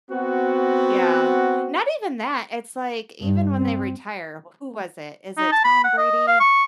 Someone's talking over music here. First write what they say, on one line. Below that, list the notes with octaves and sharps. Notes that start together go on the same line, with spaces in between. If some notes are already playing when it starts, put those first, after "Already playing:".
Yeah. Not even that, it's like, even when they retire who was it? Is it Tom Brady?
B3 C4 F#4
G2
C4
D#4
A5
B5
F#5
D#5
F5
C#6